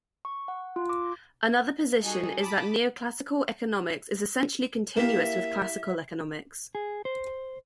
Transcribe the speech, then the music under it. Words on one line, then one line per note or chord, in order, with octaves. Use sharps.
Another position is that neoclassical economics is essentially continuous with classical economics.
C#6
F#5
F4
D6
G3 D#4 F#4 G#4 A4
A5 B5 D6 D#6
A#3 E4 G4 E5 F5
G#4
C5